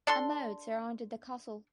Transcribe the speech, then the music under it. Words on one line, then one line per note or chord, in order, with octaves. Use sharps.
A moat surrounded the castle.
D4 A4 C6